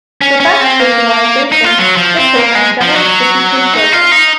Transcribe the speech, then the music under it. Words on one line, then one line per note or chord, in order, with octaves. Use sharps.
For fast visualization, this program generates the sequence logo.
C#4
C#4
C4
A#3
D#4
F4
F#3
F3
C4
A#3
G#3
F3
F#3
D#4
F4
D#4